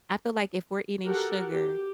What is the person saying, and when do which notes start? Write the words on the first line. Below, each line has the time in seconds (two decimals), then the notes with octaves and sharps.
I feel like if we're eating sugar
1.04 F#4 G4 A4 A#4 F#5
1.51 G4